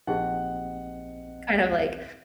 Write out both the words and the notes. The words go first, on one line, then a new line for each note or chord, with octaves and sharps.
Kind of like,
A#1 C4 D#4 G4 G#4 D#5 F#5